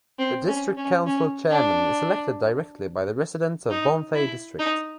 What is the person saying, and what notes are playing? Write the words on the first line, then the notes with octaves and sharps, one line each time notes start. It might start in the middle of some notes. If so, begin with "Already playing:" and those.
The District Council Chairman is elected directly by the residents of Bonthe District.
C4
C#4
C#4
C#4
D4
D#4
E4
D#4